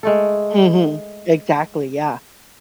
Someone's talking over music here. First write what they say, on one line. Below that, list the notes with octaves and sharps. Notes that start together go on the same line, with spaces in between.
Mhm, exactly, yeah.
G#3 A3 A4